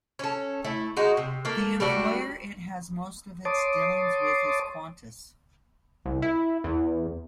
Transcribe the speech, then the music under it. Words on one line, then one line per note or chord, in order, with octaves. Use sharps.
The employer it has most of its dealings with is Qantas.
C#4 A4
A3 E4
G#3 D#4 F#4
C3
A3 A#3
G3 A3 D4 F#4
C#5 A5 C6 D6 D#6
C2
E4
E2